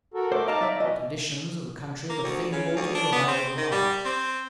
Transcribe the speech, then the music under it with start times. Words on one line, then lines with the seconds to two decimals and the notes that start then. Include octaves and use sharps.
The conditions of the country were favorable to the revival of art.
0.14 F#4 A4 A#4
0.32 A3 C5 D6
0.48 D#4 D#5 F5 A5 A#5 D6
0.61 D5 E5
0.80 B2 E3 D#5
2.10 A#3
2.23 D2
2.52 C#3
2.76 D2
2.95 D4
3.12 B3
3.28 C4
3.57 D#3
3.71 G3
4.05 C4